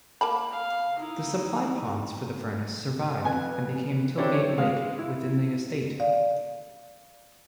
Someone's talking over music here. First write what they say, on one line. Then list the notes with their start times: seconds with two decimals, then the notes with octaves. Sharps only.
The supply ponds for the furnace survived and became "Tilgate Lake" within the estate.
0.21 A#3 A5 B5
0.51 F5
0.97 D#4 E4
3.24 F2 B3 G#5
4.18 D3 C4 D4 E4 G4 C#5
4.33 C#5
4.58 G#3 F5
4.99 E4
6.00 D5 F5